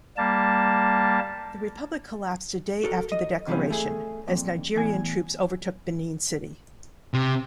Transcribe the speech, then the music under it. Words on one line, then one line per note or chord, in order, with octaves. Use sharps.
The republic collapsed a day after the declaration as Nigerian troops overtook Benin City.
G3 A#3 A5
F#4 A4 A#4
D#5
C3 E3 F3 G3 B3 C#4
A3 G#4
F2 A#2
E2 A2 G#5
C3